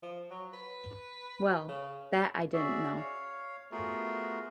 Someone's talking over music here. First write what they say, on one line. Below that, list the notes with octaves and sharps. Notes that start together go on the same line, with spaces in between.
Well, that I didn't know.
F3
F#3
B4
C#3
C#4 F#4 G#4 D5 E5
C#5 F5
A3 B3 F4 F#4 G#4 A#4